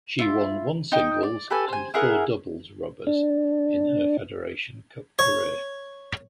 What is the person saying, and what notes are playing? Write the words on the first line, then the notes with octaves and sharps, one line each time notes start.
She won one singles and four doubles rubbers in her Federation Cup career.
E4 F4
D#4 G5
D5
G4 A4 B4 G#5
C5 G#5
E4 G#4 A#4 F#5
D4
C#5